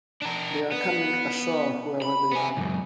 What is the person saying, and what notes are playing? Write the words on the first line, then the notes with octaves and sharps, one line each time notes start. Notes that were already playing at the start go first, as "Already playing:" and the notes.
They are coming ashore, whoever they are.
D4 A#4
B3
B5
B3 G#5
C#2 F#2